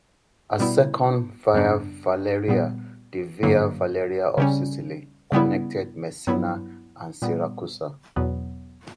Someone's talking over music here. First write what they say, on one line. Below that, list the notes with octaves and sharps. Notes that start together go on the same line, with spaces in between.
A second Via Valeria, the Via Valeria of Sicily, connected Messina and Siracusa.
B2 G3 B3 E4
F#2 C#3 G3 B3 D4
A#2 G3 B3
G2 D3 F#3 A#3
C#3 G3 C#4
C#3 G3 B3 E4
G2 F#3 B3 E4
A#2 G3 B3
E2 B2 F#3 B3